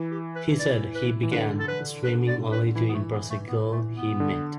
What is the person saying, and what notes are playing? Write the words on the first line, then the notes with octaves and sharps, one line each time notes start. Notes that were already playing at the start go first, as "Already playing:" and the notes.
He said he began swimming only to impress a girl he met.
Already playing: E3
G4
B4
D5
B4
E3
D3 B4
A4
B4
B4
D5
B4
E3 E4
B3
A3
B3
A3
B3
A3
B3
D3